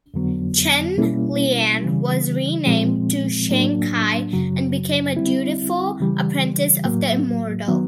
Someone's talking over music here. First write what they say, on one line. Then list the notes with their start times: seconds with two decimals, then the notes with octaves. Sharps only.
Chen Lian was renamed to Shancai and became a dutiful apprentice of the immortal.
0.14 F2 D3 F#3 B3
0.98 B2 G3 A#3 C#4 E4
1.82 C#3 E3 G3
2.66 A#2 F3 G#3 C4
3.49 A2 F#3 A#3 D4
4.33 F#2 C#3 F#3
5.17 D3 G3 C4 E4
6.00 C#3 E3 G3
6.85 A2 F#3 A#3
7.68 D#3 F#3 B3